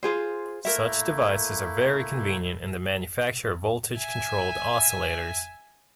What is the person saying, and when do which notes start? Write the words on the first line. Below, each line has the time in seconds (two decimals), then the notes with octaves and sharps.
Such devices are very convenient in the manufacture of voltage-controlled oscillators.
0.03 F4 G#4 C5
0.65 A3 A#3 E4 A#4 E5
3.98 E5 G#5